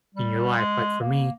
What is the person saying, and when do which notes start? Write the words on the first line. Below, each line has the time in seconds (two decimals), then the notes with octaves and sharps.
in your life, like, for me,
0.15 G3
0.58 G#3
1.01 A#3